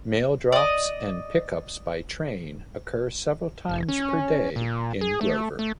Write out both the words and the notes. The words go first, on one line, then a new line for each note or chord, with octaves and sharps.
Mail drops and pickups by train occurred several times per day in Grover.
D5 D#5
F1
C#4
A#2
G#4
A3
A3